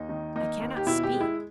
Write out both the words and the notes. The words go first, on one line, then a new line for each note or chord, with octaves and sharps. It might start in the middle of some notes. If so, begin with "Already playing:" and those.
I cannot speak!
Already playing: D#2 D#4
D#3
A#3 D#4
D#2
G4
B2 E4
G4
G#3
E4